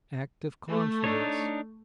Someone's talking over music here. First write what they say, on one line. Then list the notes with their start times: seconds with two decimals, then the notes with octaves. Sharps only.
Act of Confidence.
0.68 A3
1.04 D4 D#4 C#5